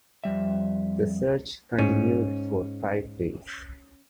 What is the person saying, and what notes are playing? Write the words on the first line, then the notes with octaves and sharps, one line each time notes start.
The search continued for five days.
F2 G3 E5
G#2 C#4